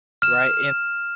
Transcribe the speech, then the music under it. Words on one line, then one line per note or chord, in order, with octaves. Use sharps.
right? And
F6 E7